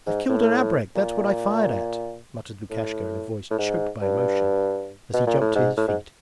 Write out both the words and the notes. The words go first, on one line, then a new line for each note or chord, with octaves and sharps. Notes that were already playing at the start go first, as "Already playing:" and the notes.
'I've killed an abrek, that's what I fired at,' muttered Lukashka in a voice choked by emotion, as he jumped to his feet.
G#2
A2
A#2
A2
A2
G#2
G2
B2
A#2
A2
G#2
A2
G#2